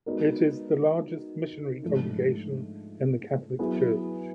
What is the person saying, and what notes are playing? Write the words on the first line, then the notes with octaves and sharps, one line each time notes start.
It is the largest missionary congregation in the Catholic Church.
G#3 B3 D#4 F#4 A#4
G#2 F3 A3 D4
F#3 B3 E4 G#4 B4